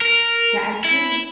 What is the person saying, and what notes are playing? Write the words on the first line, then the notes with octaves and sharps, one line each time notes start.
Yeah, I feel like
A#4
E4